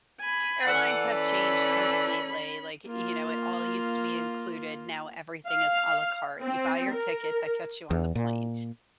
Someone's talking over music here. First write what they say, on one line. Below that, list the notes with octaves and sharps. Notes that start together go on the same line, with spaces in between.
Airlines have changed completely, like, y you know, it all used to be included, now everything is a la carte; you buy your ticket that gets you on the plane,
G#5 B5
E3 A4 D5 F#5
C#4 B5
A#3 F4
F5
C4
A#4
E2
A#2